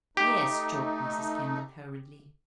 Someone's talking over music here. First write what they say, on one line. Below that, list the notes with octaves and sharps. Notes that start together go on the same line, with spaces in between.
"Yes," choked Mrs. Kendall, hurriedly.
A3 D#4 G4